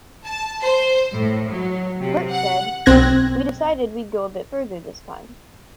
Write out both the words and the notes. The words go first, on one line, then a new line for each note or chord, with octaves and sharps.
Peart said, We decided we'd go a bit further this time.
A5
C5
A2
F#3
C3
F#5
B1 C4 F#6 G#6 A#6